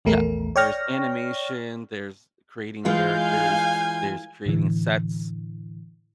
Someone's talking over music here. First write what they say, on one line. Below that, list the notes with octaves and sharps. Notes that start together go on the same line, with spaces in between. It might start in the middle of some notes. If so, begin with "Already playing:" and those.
Yeah. There's animation, there's creating characters, there's creating sets,
A#1 E2 A3 A#4
C#5 D5 G5 C#6 F6 A#6
E3 G#3 F4 F5 G6
G#5
A2 D3 E3